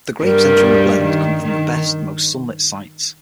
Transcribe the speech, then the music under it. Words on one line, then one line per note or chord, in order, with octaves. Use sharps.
The grapes entering the blend come from the best, most sunlit sites.
G2 G3 A#4
D#3
D#3